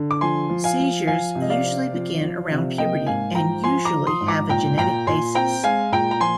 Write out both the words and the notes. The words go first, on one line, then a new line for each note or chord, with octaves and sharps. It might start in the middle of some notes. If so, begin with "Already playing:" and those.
Seizures usually begin around puberty and usually have a genetic basis.
Already playing: D3
D6
F3 G#5 C6
F3
F5 G#5
F3
F3 F5 G#5
C3
D#5
D5 F5
C4
F3
F3
C3
A#3 D#5 G5
G#2 F5 G#5
F3 G5 A#5
F3 G#5 C6
A#5 D6
F3
C6 D#6
G#2
A#5 D6
A#2 G5 A#5
A#2 G5 A#5
A#2 G#5 C6
C4 G5 A#5
G#3 F5 G#5
A#2 G5 A#5
A#5
F3 G#5 C6